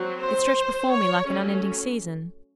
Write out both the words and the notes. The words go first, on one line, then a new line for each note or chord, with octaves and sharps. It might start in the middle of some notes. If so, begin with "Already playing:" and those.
It stretched before me like an unending season.
Already playing: F#3 C4
C5
C#5
F#3 A3 C#4